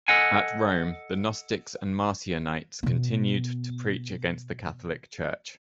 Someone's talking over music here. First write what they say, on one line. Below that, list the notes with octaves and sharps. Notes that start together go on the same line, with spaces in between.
At Rome, the Gnostics and Marcionites continued to preach against the Catholic Church.
A4 D#5 F#5 G#5
B2 B3